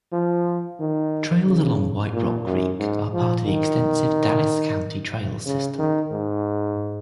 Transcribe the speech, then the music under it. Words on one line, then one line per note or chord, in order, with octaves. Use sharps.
Trails along White Rock Creek are part of the extensive Dallas County Trails System.
F3
D#3
C#3
A#2
F#2
G#2
F3
D#3
C#3
D#3
G#2